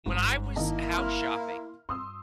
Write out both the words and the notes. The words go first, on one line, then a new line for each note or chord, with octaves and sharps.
when I was house shopping
G1 G#2
D#3 A#3 E4 D#5 A5
C6 F6
G2 C6 D#6 E6